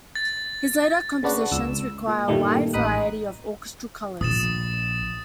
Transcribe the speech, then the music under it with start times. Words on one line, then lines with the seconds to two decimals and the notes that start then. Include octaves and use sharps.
His later compositions require a wide variety of orchestral colours.
0.15 A6
1.23 C#3 B3 D4 F#4
1.52 C#2 E6
2.07 A#2
2.28 G2 A#2 D#3 G3 A3
2.73 A1 D#4 B5 D#6 F#6
4.21 A#1 D#6 A6 E7